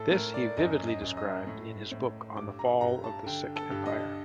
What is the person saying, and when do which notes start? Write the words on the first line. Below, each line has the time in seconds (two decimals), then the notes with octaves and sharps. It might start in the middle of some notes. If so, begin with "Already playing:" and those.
This he vividly described in his book on the Fall of the Sikh Empire.
Already playing: A2 A4
0.11 A2 A#4
0.34 D5
0.57 F#2 D#5
0.87 D#5
1.01 F#2
1.17 D#5
1.47 A2
1.92 A2
2.36 G2 D6
2.59 A#5
2.81 G2 A#5
3.04 A5
3.26 D3 G5
3.56 A4
3.71 G2
3.86 D#5